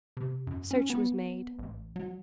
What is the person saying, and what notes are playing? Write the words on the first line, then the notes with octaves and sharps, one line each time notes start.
Search was made.
C3
F#2
C#4
B3
A1
F#3